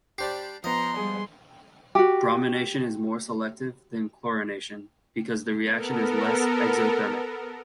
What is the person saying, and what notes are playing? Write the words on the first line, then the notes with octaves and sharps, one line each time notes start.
Bromination is more selective than chlorination because the reaction is less exothermic.
G3 D4 G4 C5 C7
F3 B3 D#5 A#5 C6
G3 G#3 G#4
F#4 G4
B3 A4 A#4